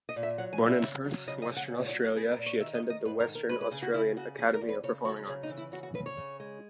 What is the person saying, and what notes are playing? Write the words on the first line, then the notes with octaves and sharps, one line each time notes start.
Born in Perth, Western Australia, she attended the Western Australian Academy of Performing Arts.
D#5
A#2
E5
F#3 F#5
G#5
A#2
E5
C#3
F#3
C#3 D#5
D#5
C#3 G#5
F#5
A#2
C#5
F#3
B3 G#4
A#4
A#2
C#5
D#3 E5
D#5
D#3
D#5
G#2 B4
A#4
D#3
A#4
G#3 B4
B4
C#3 G#4
F#4
C#3 E4
C#3 F#4
E2 G#4
A#4
E2
B4
C#3 C#5
F#3 F#4
C#3 G#4
D#4
E3
E4
C#3 F#4
F#4
C#3 B4
C#5
C#3
G#3